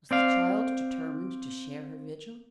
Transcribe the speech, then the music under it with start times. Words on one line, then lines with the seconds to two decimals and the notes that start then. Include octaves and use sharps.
Was the child determined to share her vigil?
0.11 C4 D5 F5